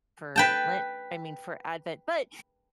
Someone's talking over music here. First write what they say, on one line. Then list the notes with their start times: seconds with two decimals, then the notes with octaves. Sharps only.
for Lent I mean, for Advent, but
0.36 B4 G5 A5